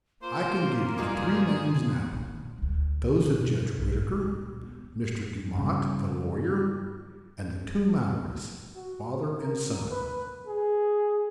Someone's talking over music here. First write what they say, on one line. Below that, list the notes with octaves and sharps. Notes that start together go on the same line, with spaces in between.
"I can give you three names now. Those of Judge Whittaker, Mr. Dumont, the lawyer, and the two Mowries, father and son."
A#3 F4 C5
G2 F#3 D#4 G#4
A#2 D#3
D2 F#3
B2
B1 G2
C#2 A#2
B3
G2 C#3
F#4
A#4
B4
G#4